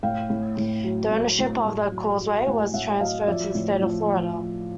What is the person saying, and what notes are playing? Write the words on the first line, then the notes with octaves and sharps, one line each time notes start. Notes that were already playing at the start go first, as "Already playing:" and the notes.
The ownership of the causeway was transferred to the state of Florida.
A2 F5 G5
A2
A2
F#3
A2
A2
A2
F#3
F#3
A2 F#5 G#5
A2 E5 F#5
F#3 D#5 F5
F3 D5 E5
A2
F3